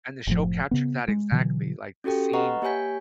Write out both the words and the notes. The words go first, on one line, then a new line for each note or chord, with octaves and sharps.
and the show captured that exactly. Like, the scene,
F#1 A2 F3
C#3 B3
G#3
B2 D3 E3 F#3
C#4 F#4 G4 A4 G5
B4 D#5 F#5 A#5 C#6
A#3 G4 C#5 G#5 G6 B6